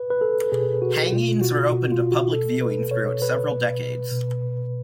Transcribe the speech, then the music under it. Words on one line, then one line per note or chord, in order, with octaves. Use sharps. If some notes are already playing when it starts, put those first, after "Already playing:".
Hangings were open to public viewing throughout several decades.
Already playing: B4
B4
A4
B2 G#4
F#4
B2 F4
F#4
B2 F#4
F4
F#4
B2 A4
B4
B2 C#5
B4
B2
B2